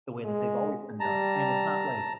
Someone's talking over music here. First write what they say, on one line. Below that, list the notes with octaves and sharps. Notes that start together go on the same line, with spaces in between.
the way that they've always been done?" And it's not like,
G#3
G3 A5 A#5